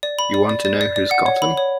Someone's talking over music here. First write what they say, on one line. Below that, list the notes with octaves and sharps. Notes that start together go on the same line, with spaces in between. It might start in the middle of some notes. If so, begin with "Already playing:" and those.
You want to know who's got 'em?
D5
B5
D5
D5
D5
D5
D5
F#5
C#5
B5
C#5